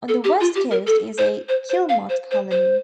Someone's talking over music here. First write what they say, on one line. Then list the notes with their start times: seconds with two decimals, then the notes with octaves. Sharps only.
On the west coast is a guillemot colony.
0.08 A4
0.24 G4
0.40 F4
0.55 G4
0.71 A#4
0.87 A4
1.18 C5
1.49 C5
1.69 C5
1.89 F5
2.09 C5
2.31 C5
2.51 C5